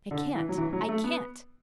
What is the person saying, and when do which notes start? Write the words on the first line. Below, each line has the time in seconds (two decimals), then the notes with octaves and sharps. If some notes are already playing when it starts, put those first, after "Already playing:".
I can't--I can't!
0.11 D3
0.35 E3
0.49 F#3
0.58 E3
0.73 F#3
0.89 A3
1.04 B3